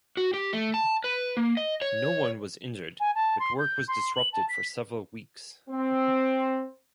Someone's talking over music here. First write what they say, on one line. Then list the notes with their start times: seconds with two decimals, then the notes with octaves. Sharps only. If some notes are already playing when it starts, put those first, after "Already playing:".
No one was injured, but work was disrupted for several weeks.
0.17 F#4
0.34 G4
0.53 A3
0.74 A5
1.04 B4
1.37 A#3
1.57 D#5
1.82 C#5
3.00 G#5
3.15 A5
3.40 C6
3.59 G6
3.88 C6
4.16 F#7
4.33 A5
4.49 B6
5.69 C4